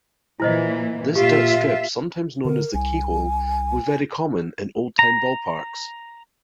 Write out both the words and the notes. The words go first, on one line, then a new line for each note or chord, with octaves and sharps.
This dirt strip, sometimes known as the "keyhole", was very common in old-time ballparks.
A#2 E3 E4 C5 D#5
A#2 F4 G4 E5
D3 A#4
C2 G#5
A#5